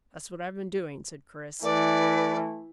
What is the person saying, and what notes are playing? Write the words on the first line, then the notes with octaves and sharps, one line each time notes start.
"That's what I've been doing," said Chris.
E3 A3 B4 D5